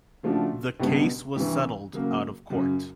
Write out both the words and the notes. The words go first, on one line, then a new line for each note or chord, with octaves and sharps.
The case was settled out of court.
C#3 F3 A3 D4 F#4
C#2 B2 G3 B3 D4
D2 C3 E3
C#3 F#3 A#3
F#2 C#3 F#3